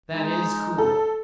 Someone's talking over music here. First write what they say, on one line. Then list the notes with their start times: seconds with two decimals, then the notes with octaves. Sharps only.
That is cool.
0.13 G#3 D#4
0.78 A4